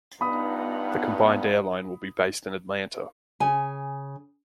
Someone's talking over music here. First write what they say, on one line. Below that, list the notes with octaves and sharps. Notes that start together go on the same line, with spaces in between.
The combined airline will be based in Atlanta.
G2 B3 D#4 F4 F#5 B5 D#6
C#3 G#5